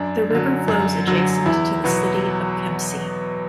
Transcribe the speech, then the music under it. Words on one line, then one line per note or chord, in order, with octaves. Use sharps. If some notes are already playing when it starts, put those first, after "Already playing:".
The river flows adjacent to the city of Kempsey.
Already playing: F#2 D4
D3 F#3
F#2
D3 F#3
E2 E4
B2 F#3 B3